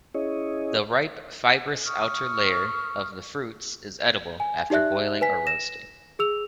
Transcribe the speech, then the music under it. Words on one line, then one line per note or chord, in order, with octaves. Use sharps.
The ripe fibrous outer layer of the fruits is edible after boiling or roasting.
C#4 E4 G#4 C#5 D#5
C#6 D#6 F6
G#5
D#4 G4 D5 E5 F#6
B4 G#5 B6
A#6 E7
G#4 E6 F7